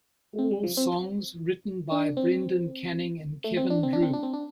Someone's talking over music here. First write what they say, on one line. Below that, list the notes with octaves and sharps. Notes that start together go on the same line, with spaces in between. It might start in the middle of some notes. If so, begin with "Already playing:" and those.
All songs written by Brendan Canning and Kevin Drew.
C4
G3
F3
C4
D4
C4
A3
C4
D4
C4
D4
C4
D4
C4
D4